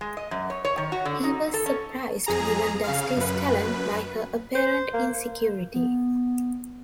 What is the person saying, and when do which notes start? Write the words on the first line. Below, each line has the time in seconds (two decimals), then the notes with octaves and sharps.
He was surprised, given Dusty's talent, by her apparent insecurity.
0.01 G#3
0.17 D#5
0.31 F#2
0.50 C#5
0.65 C#5
0.77 D#3
0.92 F#4
1.05 D3
1.24 D#4
1.54 A4
1.66 C#4
2.26 F2 G#4 A#5
2.84 C#3 F5
3.16 F#2 B4
4.55 C5
4.94 A#3
5.74 B3